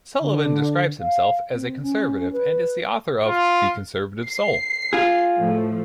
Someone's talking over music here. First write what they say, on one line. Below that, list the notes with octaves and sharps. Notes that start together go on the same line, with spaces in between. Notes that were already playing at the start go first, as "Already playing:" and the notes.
Sullivan describes himself as a conservative and is the author of "The Conservative Soul".
D3
F5
C4
C#4
B4
F4
C7
F4 G#4
A2 F3 A3